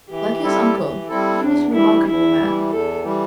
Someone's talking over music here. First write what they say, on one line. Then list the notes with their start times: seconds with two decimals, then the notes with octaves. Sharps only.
Like his uncle, he was a remarkable man.
0.10 E3 G4
0.43 G3 C4 E4 A4
0.76 E3
1.08 G3 C4 E4 A4
1.41 E2 D4
1.73 E3 G3 E4
2.05 E2 E4
2.38 E3 G3
2.71 E2 A4
3.03 E3 G3